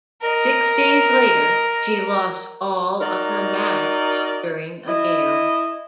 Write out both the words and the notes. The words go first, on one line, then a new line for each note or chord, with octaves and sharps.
Six days later she lost all of her masts during a gale.
A#4 D#5
D#4 F#4 A#4 D5 D#5
E4 D#5